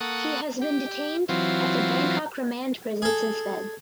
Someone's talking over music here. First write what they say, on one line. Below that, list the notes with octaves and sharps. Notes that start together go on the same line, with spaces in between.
He has been detained at the Bangkok Remand Prison since then.
A#3 A4 F#5 C#6 D#6
G4
E3 F#3 C4 F4
G#4 A4